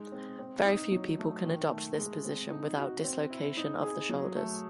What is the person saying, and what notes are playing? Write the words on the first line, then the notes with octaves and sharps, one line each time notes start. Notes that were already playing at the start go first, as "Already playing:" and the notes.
Very few people can adopt this position without dislocation of the shoulders.
Already playing: G#3 D#4
C4
C4
D#4
F#3
A3
D#3
A3
G#3
C4
D#4
F#4
C4
E4
D#4
G#4
F#3
A3